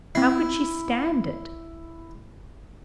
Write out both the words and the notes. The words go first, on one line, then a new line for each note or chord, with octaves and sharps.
How could she stand it?
C4 E4 C7